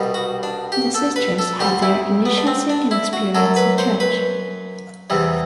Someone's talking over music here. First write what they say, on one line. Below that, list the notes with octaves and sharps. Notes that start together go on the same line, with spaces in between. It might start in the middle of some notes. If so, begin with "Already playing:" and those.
The sisters had their initial singing experience in church.
Already playing: C2 B2 G3
F#4
D4
G4
A4
B4
A4
D2 D3 G3 G4
E4
B3
D4
C4
D4
E4
F#4
F#2 F#3 A4
B4
C5
B4
E2 C3 E3 G3